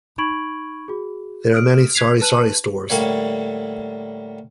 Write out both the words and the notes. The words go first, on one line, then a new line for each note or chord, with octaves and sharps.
There are many sari-sari stores.
D#4 B5 C#6 G#6 D7 F#7
F#4 G#4
D#6 F6 D7
F#6 G#6 B6 C7 F7
B4 A5 F#6 D#7 E7 F#7
A2 D3 G3 A#3 C#5